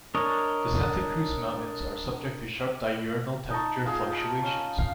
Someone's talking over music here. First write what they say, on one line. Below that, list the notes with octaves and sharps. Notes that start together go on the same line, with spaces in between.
The Santa Cruz Mountains are subject to sharp diurnal temperature fluctuations.
D4 A#4 C#5 D#5
D#4 D#5 A5 C#6
F4 G#4
A5
C#4
F5